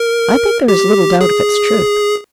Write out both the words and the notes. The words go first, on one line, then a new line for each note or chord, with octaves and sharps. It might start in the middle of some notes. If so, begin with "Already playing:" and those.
I think there is little doubt of its truth.
Already playing: A#4
G4
G#4